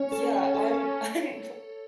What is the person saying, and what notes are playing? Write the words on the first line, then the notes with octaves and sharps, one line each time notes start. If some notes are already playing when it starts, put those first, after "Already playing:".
Yeah, I'm I'm
Already playing: C#4 C#5
A4
C#5
A4
A4